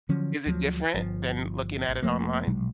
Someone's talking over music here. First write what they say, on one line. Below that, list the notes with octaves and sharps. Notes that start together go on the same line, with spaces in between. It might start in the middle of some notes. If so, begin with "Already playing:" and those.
is it different than looking at it online?
D3 F3 F#3 C#4
D2 F3 F#3
G1 F3
A1
F1 F3 A3 A#3
A#1 B2 F#3 G#3